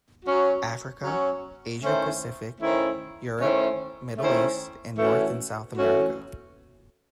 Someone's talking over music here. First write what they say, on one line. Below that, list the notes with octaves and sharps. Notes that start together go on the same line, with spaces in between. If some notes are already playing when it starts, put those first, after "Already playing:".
Africa, Asia-Pacific, Europe, Middle East and North and South America.
F#3 C#4 F#4
F#3 C#4 F#4
D#3 A3 C#4 E4 C5
D#3 A3 C#4 E4 C5
D#3 A3 C#4 E4 C5
D#3 A3 C#4 E4 C5
A2 E3 A3 C#4 F#4
A2 E3 A3 C#4 F#4